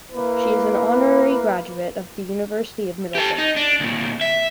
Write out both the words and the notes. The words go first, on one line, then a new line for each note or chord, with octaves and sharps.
She is an honorary graduate of the University of Middlesex.
A#3 E4 B4
G4 A4
D#4
D4
D2 A#2
E5